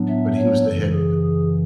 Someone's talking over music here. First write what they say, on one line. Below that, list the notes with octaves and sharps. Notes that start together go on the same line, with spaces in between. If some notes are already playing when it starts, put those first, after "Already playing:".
but he was the head
Already playing: A2 F#3 B3 D4
E5
C#5
F#2 C#3 E3 A4
G#4
G#4